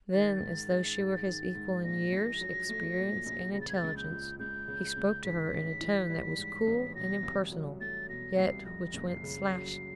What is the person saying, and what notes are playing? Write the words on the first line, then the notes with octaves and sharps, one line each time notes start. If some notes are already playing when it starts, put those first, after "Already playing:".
Then, as though she were his equal in years, experience and intelligence, he spoke to her in a tone that was cool and impersonal, yet which went slash!
D#3 A6
G#2
G#3
G#2
D#3
G#2
A#2 A#6
A#1
F#3
A3
A#2
A#1
C#3 A#6
A6
G#6
A6
C#2
G6
F3
C#2 G6
C#3
C#2
G#2 B6
A1
E3
G3
G#2
A1
B2 A#6
C2
F#3
A3 A6
B2 A#6
C2 C7
F2 A#6
F#1
C7
C#3
F#3